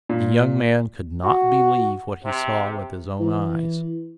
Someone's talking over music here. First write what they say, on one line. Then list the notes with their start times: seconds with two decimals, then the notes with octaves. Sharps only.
The young man could not believe what he saw with his own eyes.
0.09 A#2
1.23 F#4
2.24 C3
3.20 E3